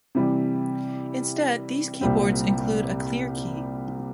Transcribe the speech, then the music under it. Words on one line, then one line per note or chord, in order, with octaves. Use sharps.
Instead, these keyboards include a "Clear" key.
C3 E3 G3
C2 A#2 G3 C4